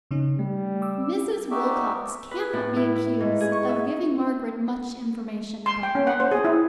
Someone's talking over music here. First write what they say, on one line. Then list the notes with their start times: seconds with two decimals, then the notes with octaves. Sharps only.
Mrs. Wilcox cannot be accused of giving Margaret much information about life.
0.11 C#3 C#4 D#4
0.39 G3 A3
0.82 D6 E6
1.51 D#4 F#4 G4 D5 E5
2.31 B4
2.53 A2
2.76 E4
2.95 E4
3.20 G#2
3.40 G#4
3.52 C#6
3.69 E5
5.66 C6
5.83 G5
5.95 C#4
6.07 F#5
6.20 C5
6.31 G#4
6.44 E4